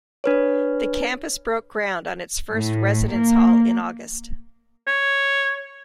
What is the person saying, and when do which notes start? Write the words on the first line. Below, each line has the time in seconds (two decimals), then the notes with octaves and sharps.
The campus broke ground on its first residence hall in August.
0.24 D4 B4 C#5
2.50 A2
3.11 A#3
4.87 C#5